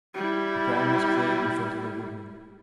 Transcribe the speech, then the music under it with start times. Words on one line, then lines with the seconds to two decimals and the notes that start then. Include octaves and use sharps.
The ground was cleared in front of the woodmen.
0.14 G3 E4